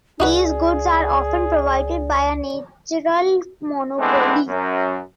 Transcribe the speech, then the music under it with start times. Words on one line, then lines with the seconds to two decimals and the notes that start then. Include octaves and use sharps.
These goods are often provided by a natural monopoly.
0.20 C#2 D#4 F#4 G#4 B4 D5
3.99 E3 G#3 A3 B3 C4 D4
4.48 F#2